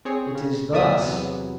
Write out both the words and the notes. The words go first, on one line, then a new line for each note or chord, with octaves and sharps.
"It is thus."
C4 G#4 C#5
C#3
D2 A#3 D5 E5 D#6
E2 C3 F#3 B3